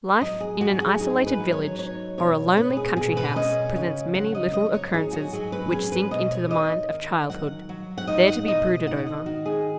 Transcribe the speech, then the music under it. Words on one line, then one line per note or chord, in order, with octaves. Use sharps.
Life in an isolated village, or a lonely country-house, presents many little occurrences which sink into the mind of childhood, there to be brooded over.
F#3 D#5
G#4
F#3 F#4
G#4
D#4 G#4
B4
F#3
C#5
D#4 C#5
B2 C#5
B3 B4
G#4
B2 G#4
B4
C#4 D#5
C#3
F#3 F#5
D#5
F#3 D#5
C#5
D#4 G#4
F#4
F#3 G#4
B4
C#4 G#4
B4
B2 D#5
C#5
D#4 D#5
D#3
F#3 F#5
F#3
F#5
D#4 D#5
F#5
B2 D#5
D#5
D#4 F#5
D#5
D#3 F#4
G#4